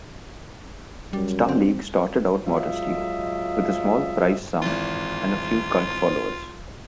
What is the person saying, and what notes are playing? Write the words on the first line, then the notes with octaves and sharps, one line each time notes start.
Starleague started out modestly, with a small prize sum and a few cult followers.
F#2 G3
C4
F#3 G#3 F4 D#5 E5
G#1 E3 F4